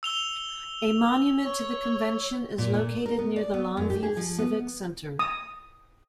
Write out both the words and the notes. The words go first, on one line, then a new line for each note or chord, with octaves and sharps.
A monument to the convention is located near the Longview Civic Center.
E6 F7 G7
C#5
A#2
A#2
A#4
B3
D5
B3
F#2
G4
G#4
F3
B3
D#6